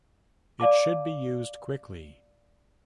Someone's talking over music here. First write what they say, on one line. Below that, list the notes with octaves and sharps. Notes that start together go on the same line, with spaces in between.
It should be used quickly.
D5 F5 A5 D6